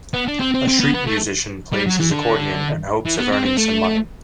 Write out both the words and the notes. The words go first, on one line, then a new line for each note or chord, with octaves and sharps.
A street musician plays his accordion in hopes of earning some money.
B3
D4
C4
C4
C4
B3
B3
A3
G3
F#3
E3
D3
E3
B3
C4
C4
A3